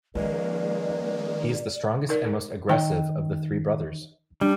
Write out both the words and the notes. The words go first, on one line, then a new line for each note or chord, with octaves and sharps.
He is the strongest and most aggressive of the three brothers.
C#2 D#3 F3 G#3 A#3 D5
D#4 A#4 D5
D#3 D#4 G5
G3 D4